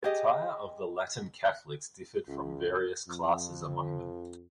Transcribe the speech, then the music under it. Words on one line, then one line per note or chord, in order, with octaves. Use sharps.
The Attire of the Latin Catholics differed from various classes among them.
G4 G#4 D#5
C#2
F2